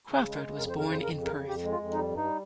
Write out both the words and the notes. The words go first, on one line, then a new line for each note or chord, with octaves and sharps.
Crawford was born in Perth.
C#3 G#4
G#3
A#4
C#3
F2 A#4
C5
C#3
A#4
F2 C5
F2 A#4
C#3
A#4
F2
F2 G4
G#3
F4
F2
G3 D#4
G2
D#4
G3